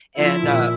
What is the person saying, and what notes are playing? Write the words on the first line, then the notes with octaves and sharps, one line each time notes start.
and uh,
F3 E4
A#2